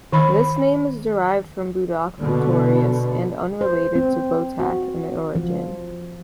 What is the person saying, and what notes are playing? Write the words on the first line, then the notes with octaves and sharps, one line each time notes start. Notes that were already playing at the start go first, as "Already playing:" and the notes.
This name is derived from "buadhach" "victorious" and unrelated to "botach" in origin.
D#3 B5
B2 D3
C5
C4
F#4
F3